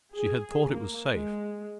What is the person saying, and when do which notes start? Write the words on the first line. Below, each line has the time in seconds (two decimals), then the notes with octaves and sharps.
She had thought it was safe.
0.15 G#4
0.70 A#3
1.09 G#3